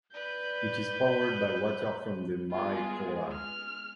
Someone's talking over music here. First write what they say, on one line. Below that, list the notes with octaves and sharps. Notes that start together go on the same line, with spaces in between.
It is powered by water from the Mai Khola.
B4 D5 G6
G#3 B3 F4 G#4
F6